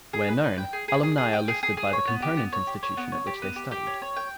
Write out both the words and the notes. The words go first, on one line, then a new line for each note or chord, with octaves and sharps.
Where known, alumni are listed by the component institution at which they studied.
G#4
B4
B4
G5
G#4
G#4
G#4
G#4
G5
G#4
G#4
G#4
C#5
B3
G4
B3
C#5
G4
C#5
B3
C#5
G4
B3
G4
G4
C#5
C#5
G5